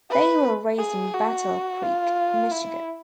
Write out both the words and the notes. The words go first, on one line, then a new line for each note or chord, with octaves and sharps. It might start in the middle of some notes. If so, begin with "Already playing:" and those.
They were raised in Battle Creek, Michigan.
B4
G#4
F#4
F4
E4